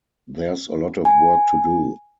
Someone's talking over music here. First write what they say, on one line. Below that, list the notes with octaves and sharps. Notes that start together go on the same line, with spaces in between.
There's a lot of work to do.
G#5